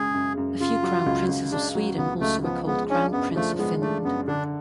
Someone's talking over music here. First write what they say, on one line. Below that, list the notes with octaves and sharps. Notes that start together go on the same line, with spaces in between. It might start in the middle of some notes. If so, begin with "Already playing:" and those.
A few crown princes of Sweden also were called "Grand Prince of Finland".
Already playing: F#2 C#3 G#3 G#4
F#2
F#2
C#3 F4
F#3
C#2
C#2
C#3 D4
F#3
C#2 B3
C#2 A3
F3 B3
G#3 B3
C#4 D4
F#2 B3
F3 A3
G#3 B3
A3 D4
F#2 B3
D3 D4